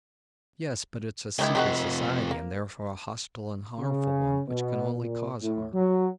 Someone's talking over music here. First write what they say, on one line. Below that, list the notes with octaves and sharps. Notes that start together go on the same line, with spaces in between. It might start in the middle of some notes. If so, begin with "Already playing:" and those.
"Yes, but it's a secret society and therefore a hostile and harmful one which can only cause harm."
C#2 D#3 D4 E4
C3 D#3 F3 G#3 F#4
A#3
C#3
B2
A#2
A2
F#3